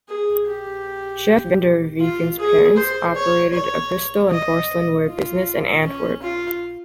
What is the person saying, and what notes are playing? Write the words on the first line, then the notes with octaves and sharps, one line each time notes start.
Jef Van der Veken's parents operated a crystal and porcelain ware business in Antwerp.
G#4
G4
F4
G#4
C5
C#5
C#5
D#5
F4
C#4
F4